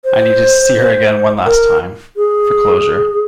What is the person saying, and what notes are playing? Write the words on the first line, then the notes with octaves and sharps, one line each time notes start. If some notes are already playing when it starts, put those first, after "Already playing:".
I needed to see her again one last time, for closure.
C5
A#4
G#4